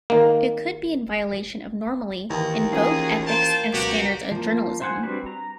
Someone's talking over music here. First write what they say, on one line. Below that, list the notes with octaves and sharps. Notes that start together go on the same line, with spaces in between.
It could be in violation of normally in vogue ethics and standards of journalism.
D#3 A#3
D#2 D#3 E3
E3 F3 C#4 G#4
A#3 C5 G5 A5
C#2 B2 F#3 F#4 G4
F3 A#3
C5 F#5 G#5
G3 C4 D4 F#4 B4
A#5